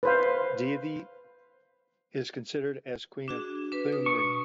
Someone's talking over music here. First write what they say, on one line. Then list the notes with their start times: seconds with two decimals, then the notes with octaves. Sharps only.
Devi is considered as "Queen of Thumri".
0.03 B4 C5 F5
3.28 D4 F#4 G#4
3.72 D4 B4
3.92 D#6
4.06 B2 C#6